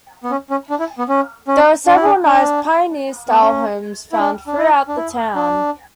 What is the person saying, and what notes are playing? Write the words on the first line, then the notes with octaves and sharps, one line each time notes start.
There are several nice pioneer style homes found throughout the town.
B3
C#4
C#4
D4
E4
B3
C#4
C#4
D4
E4
D4
D4
B3
C#4
E4
D4
D4
E4
D4
E4
D4